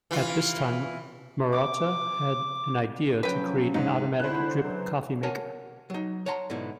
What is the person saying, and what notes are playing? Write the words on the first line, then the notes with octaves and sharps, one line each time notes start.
At this time, Marotta had an idea to create an automatic drip coffee maker.
E3 F4
D6
F3 F#3 C#4 B4 G5
G#2 D#4
C#2 D3 E4 C5 F#6
E3 F#3
A#4 C#5 F#5 G#5 A5
F#3 D#4
C#5 F#5 A5 A#5 C6
G#2 B2 D3 E4